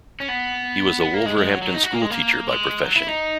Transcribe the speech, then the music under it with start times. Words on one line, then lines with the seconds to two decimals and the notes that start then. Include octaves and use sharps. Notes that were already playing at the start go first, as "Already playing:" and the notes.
He was a Wolverhampton school teacher by profession.
0.20 C#4
0.28 B3
1.01 B3
1.14 A#3
1.26 G#3
1.38 G#3
1.50 F#3
1.62 F#3
1.74 D#4
1.83 F#4
1.92 A#3
2.02 G#3
2.10 A#3
2.48 G#3
2.84 F#3
2.96 E4
3.08 D#4